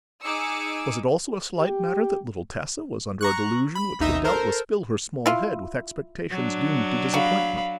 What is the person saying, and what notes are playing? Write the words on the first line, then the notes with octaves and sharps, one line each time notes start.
Was it also a slight matter that little Tessa was under a delusion which would doubtless fill her small head with expectations doomed to disappointment?
D#4 G#4 G#5 D6 E6 C#7
G4
A#5 C#6 F#6
B5
A1 D#2 D#4 E5 D#6
A4 A#4 C5
E4 F4
F#3 D4
F#4 F5 B5